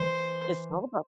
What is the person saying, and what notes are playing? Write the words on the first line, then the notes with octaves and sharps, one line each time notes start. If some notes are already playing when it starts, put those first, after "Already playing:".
It's all about
Already playing: E3 C5